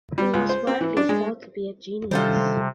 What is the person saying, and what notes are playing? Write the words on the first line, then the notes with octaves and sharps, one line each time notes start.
He was widely thought to be a genius.
G3
C#2
C5
C4
E3
D4
G#3
C3 D#3 G3 C#4 D4 F4 A4 C5